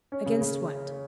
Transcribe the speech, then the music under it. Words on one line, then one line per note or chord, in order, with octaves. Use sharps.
"Against what?"
C#4
C#3
C#3